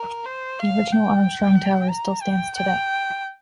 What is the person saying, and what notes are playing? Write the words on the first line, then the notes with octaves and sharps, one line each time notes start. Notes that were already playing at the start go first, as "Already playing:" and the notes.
The original Armstrong tower still stands today.
Already playing: A#4
C5
F5
G5
A#5
G5
G5